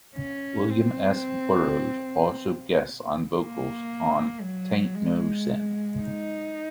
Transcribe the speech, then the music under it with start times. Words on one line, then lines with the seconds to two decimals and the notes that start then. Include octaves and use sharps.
William S. Burroughs also guests on vocals on "'Tain't No Sin".
0.16 C#4
0.70 C4
3.34 A#3
4.42 F#3
4.95 G#3
6.01 D#4